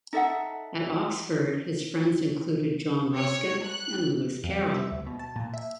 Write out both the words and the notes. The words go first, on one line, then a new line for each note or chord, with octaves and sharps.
At Oxford his friends included John Ruskin and Lewis Carroll.
D#4 A4 E5 F#5
C#5
F#6
F2
G3
E5
D2
B2
A5
A#2
E5